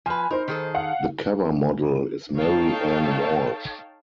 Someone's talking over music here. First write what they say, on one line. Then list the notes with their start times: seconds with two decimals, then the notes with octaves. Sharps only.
The cover model is Mary Ann Walsh.
0.06 F3 B4 G#5
0.31 D#4 A#4 C5
0.48 D#3 G#4 A4
0.75 F5 F#5
2.34 D#4 A4 C#5 F5 G5 A5